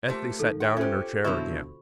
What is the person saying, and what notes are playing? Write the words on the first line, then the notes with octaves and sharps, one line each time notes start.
Ethne sat down in her chair again.
A3 A#3 F4 G4 C5 C6
D#3 A4 F5
G4 F#5 G5
C#4 F4 G4 A4 C5 E5
B2 D3 F3 F#3 E4 F#4 B5 C#6